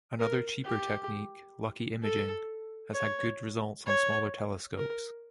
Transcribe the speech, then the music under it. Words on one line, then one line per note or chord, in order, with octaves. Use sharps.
Another cheaper technique, lucky imaging, has had good results on smaller telescopes.
A#4
G4
A4
C#5
C#5
A#4